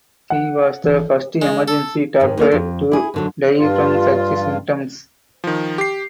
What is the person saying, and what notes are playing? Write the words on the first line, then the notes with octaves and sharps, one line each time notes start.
He was the first emergency doctor to die from such symptoms.
F#5
G#1 E3
G#3
A4
G#2 D#3
D#2 A#3 C#5 F5
F2
E4 G#4
G#2 D3 F#3
G2 F4
D#3 F3
G4 C7